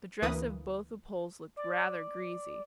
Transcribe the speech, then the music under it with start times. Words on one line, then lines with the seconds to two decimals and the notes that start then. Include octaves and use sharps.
The dress of both the Poles looked rather greasy.
0.22 D2 E3 A#3 B4 D#6
1.57 D5